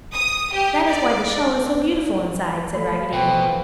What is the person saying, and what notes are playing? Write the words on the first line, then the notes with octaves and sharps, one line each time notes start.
"That is why the shell is so beautiful inside!" said Raggedy Ann.
D#6
G4
D5
A3 A4 F5 B5
B2 C4 B4